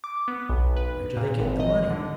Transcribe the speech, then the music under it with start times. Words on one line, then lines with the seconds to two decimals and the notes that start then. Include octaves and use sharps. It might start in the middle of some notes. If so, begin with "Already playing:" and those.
"Where do they get the money?"
0.04 D6
0.28 B3
0.49 B1
0.76 B4
1.16 A#2
1.40 G#1
1.60 D#5
1.90 D3